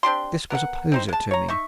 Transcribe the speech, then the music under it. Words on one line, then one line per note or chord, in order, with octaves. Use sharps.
This was a poser to me.
C4 D4 G4 C6
B3 A#4 E5 F#5
C4 D#4 C5
G#3 A5
C#5 A#5
D#4 D#5 E5 C#6